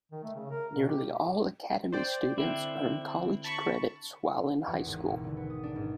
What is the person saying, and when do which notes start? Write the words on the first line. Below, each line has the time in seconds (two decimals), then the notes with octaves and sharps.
Nearly all Academy students earn college credits while in high school.
0.11 D#3
0.23 A3
0.35 C#3
0.51 A#4
0.76 B2
0.89 G4
1.93 C5 D5 G5
2.38 D3 C4 E4
3.44 A5 B5 C#6
4.67 E2
4.86 G#1
5.10 B2
5.24 D3
5.37 B3
5.50 D#6
5.63 D4
5.76 G#2